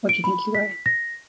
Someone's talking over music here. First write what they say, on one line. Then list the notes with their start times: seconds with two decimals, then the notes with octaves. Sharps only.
What do you think you weigh?
0.09 D7
0.24 B5
0.55 B6
0.86 A#6